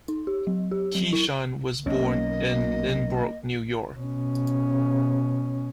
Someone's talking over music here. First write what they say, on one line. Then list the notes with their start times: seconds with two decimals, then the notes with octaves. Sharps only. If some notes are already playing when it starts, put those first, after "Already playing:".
Keeshan was born in Lynbrook, New York.
0.08 D#4
0.27 G4
0.47 F#3
0.71 G4
0.95 F#3
1.13 E4
1.86 B1 A#3 C#4 D#5
3.97 B2 C#4